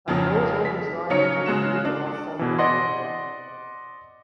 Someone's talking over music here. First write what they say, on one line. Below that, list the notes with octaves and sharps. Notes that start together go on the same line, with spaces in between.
Ambrose orders Nyah to retrieve the last sample of Chimera.
F1 F2 C#3 F3
B6
C#3 F#3 D#4 C#5 C#7
C#3 G#3 F#4 E7
D4
B2 E3
D5 D#5 F#5 C6